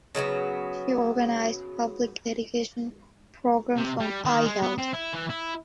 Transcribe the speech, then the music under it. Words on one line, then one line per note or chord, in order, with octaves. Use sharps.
She organized public education programs on eye health.
C#3 F#3 A3 B3
C3
G3
D#3
G#3
B3
C4
E4
E3
E4